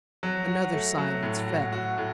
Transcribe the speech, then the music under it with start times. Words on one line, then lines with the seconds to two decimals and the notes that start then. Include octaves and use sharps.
Another silence fell.
0.23 F#3
0.48 F#4
0.73 A3
0.98 F#3
1.23 A2
1.48 F#4
1.73 F#4
1.98 A2